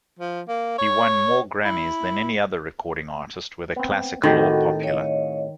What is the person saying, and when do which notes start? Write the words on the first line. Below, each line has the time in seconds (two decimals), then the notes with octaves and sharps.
He won more Grammys than any other recording artist, whether classical or popular.
0.19 F3
0.48 A#3
0.78 C#5
1.64 E4
3.76 B3 C4
4.23 A2 D#3 C4 F#4 G4 A4 D#5
4.83 C#5 D#5 F5